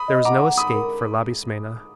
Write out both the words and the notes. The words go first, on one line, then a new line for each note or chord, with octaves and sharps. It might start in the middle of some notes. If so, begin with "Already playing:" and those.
There was no escape for Labismena.
Already playing: B5 D#6
D#5
F#5 A#5 D6
F#5
F#5 B5 D#6
A#4